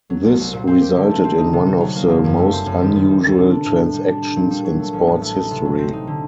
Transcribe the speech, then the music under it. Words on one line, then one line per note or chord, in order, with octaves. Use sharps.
This resulted in one of the most unusual transactions in sports history.
F#3
C2
C2
A#2
C4
G4
D3
A3
C4
D#4
C3
G3
F#3
A#3
F#1
F#2
A3
C4
F#2
D#3
D#3
G3
D2
C3
D4
A2
A2
G3
D4
G4
A#2
G3
F#3
A3
A1
A2
A3
D#4
C3
F#3
C4
D#4
D3